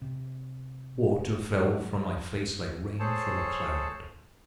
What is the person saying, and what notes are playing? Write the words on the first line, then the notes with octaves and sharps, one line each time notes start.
Water fell from my face like rain from a cloud.
C3
F#3
G#4 A4 C5 C#5 A5